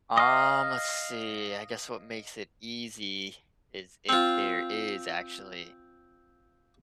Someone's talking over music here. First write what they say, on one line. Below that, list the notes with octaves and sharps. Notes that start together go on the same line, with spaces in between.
Um, let's see, I guess what makes it easy is if there is actually,
D#5 F5
C4 F4